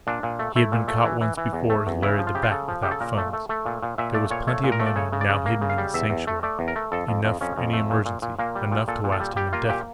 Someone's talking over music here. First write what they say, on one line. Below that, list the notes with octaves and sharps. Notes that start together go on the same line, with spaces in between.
He had been caught once before as Larry the Bat without funds! There was plenty of money now hidden in the Sanctuary, enough for any emergency, enough to last him indefinitely.
A#2 D4
A#2
A3
A3 E4
A#2
A3
E3
E3
E3
E2
A3
E2
C#3 E4
F3
F4
C#3 G4
F4
C#3 A4
F3
C#3 G4
A4
A#2 A#4
A3
A3
A3
A#2
A#2
A#2 E5
A3 D5
A#2 C#5
A3 C#5
A#2
A#4
A3
D5
C#3 C#5
C#3
D5
C#3
A#3
C#3
F5
G3
E2 E5
E2
A3
A3 D5
E2
A#4
A3
F2 A4
F2
F2
F2 C#4
F2
A3
A#2
A#2
A#2
A#2 A#3
G3
A#2
A#2 A4
A#2
A4
G3
G3 G4
A#3 F4
A#2 G4